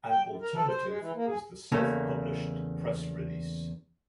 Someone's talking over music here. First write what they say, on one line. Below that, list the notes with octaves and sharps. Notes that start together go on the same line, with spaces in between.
An alternative is the "self-published press release".
G5
F#2
A#4
A4
C5
G#3
E3
A#3
G#4
E2 C#3 A3 A#3